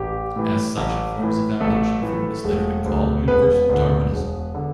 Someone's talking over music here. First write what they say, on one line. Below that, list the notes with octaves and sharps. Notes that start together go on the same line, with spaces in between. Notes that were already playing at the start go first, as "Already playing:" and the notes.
As such, it forms a foundation for what has later been called universal Darwinism.
Already playing: A1 G4
A2 E3
A1
A2 E3
A1 A3 A4
A2 E3
E1
D2 D3
E1 B3 B4
D2 D3
E1
D3